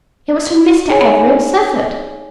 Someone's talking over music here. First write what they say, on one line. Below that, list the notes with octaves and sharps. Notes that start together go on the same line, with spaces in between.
"It was from Mr. Everett Southard."
D#4 G#4 C#5 G#5